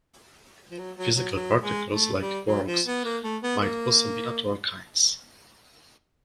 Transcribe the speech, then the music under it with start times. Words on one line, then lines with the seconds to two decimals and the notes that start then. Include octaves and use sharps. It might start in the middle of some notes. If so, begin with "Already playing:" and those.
Physical particles, like quarks, might also be natural kinds.
0.71 F3
0.79 F#3
0.97 F#3
1.16 F#3
1.35 F#3
1.63 G#3
1.91 A3
2.20 G3
2.48 F#3
2.67 F3
2.86 B3
3.04 A#3
3.24 A3
3.43 B3
3.61 A#3